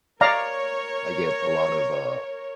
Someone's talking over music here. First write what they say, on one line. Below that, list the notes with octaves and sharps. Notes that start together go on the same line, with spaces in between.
I get a lot of, uh,
A#4 C#5 D5 F5 A#5